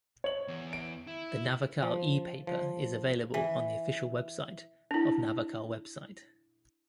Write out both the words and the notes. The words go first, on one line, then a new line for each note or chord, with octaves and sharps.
The Navakal ePaper is available on the official website of Navakal website.
C#5 F#7
E2
D7
E4
F3
F3
E3
D4 E4